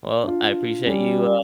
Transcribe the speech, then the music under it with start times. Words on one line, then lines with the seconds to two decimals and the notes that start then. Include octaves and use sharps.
Well, I appreciate you, uh,
0.23 D4 F4
0.86 G3 C#4